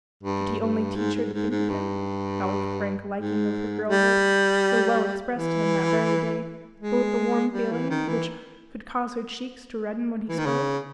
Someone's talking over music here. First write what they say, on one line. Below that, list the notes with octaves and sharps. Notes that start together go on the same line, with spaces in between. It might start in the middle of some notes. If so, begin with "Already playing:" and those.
Should he only teach her to think of him, not with the frank liking of her girlhood, so well expressed to him that very day, but with the warm feeling which would cause her cheeks to redden when he spoke?
G2
G2
G#2
G#2
G#2
G#2
G2
G#2
G3
E3
G#3
G3
E3
D#3
E3
E3
D#3
C#3